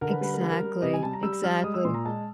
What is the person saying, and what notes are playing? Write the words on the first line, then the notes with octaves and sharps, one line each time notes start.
Exactly, exactly.
D3 A#4
B4
G3 B4
A#4
G3 B4
A#4
G3
C3 D#5
G#5
G3 A5
A#5
G3 E6
G3 F6
G#3 D#6
E6
A#2 C6
A#5
G#3 A5